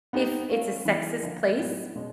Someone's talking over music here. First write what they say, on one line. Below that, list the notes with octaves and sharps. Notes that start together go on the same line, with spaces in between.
if it's a sexist place
B3 D#4 G4
A3 C#4 F4
E3 G#3 B3
D3 F3 A#3 D4
A2 F#3 B3
B2 G#3 C#4